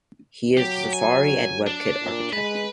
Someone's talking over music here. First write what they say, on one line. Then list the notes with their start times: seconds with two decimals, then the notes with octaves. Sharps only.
He is the Safari and WebKit Architect.
0.57 F#3 G4
0.93 G#5
1.67 D4
2.02 A#2
2.33 G#3 B4